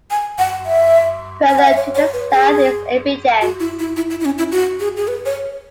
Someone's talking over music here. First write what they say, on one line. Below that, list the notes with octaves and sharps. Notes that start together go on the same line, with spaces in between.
Further to the south is Epigenes.
G#5
F#5
E5
G#5
F#5
E5
C#5
C#5
B4
G#4
F#4
E4
E4
E4
E4
E4
C#4
E4
F#4
G#4
G#4
B4
C#5